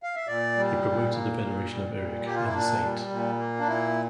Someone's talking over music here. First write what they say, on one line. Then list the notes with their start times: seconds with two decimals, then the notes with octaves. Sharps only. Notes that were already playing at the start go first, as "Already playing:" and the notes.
He promoted the veneration of Eric as a saint.
0.03 F5
0.15 E5
0.27 A#2 D5
0.56 G3
0.84 A#2
1.12 A#3
1.40 A#2
1.69 G3
1.97 A#2
2.25 A#3 G4
2.35 F4
2.45 E4
2.53 A#2 D4
2.82 G3
3.10 A#2
3.39 A#3
3.60 D4
3.67 A#2 E4